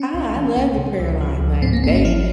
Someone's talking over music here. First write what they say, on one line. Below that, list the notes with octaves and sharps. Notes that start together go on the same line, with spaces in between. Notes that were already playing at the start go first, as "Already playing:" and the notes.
I I love the prayer line, like, they,
Already playing: C#4
C2
E3
C2
C3
C#2
F3
C#2
G#2 C4
A#3
G#1 C4
C#4
F3 E4